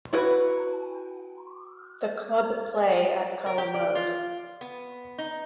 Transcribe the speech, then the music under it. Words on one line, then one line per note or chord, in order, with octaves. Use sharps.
The club play at Culham Road.
E4 F#4 B4
A#4
G4
D5
F4
B3
D#4